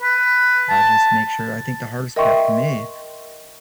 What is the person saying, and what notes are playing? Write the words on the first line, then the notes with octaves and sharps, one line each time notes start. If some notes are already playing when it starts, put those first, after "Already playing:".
uh, just make sure I think the hardest part for me
B4
A5
A#4 D#5 E5 G5 C6 C#6